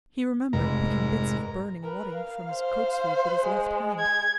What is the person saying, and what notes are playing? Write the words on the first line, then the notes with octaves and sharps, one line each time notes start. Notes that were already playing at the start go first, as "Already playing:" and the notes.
He remembered picking bits of burning wadding from his coat sleeve with his left hand.
F1 G#2 A#4 A#5
A#4 B4
F5
C5
G#3
G#6